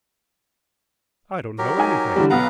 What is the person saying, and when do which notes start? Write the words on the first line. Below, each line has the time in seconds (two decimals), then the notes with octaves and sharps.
I don't know anything.
1.58 F#3 G4 A#4
1.77 D#4 G#5
2.16 D3 E3 G3
2.30 B1 B3 B4 F5 F#5 A#5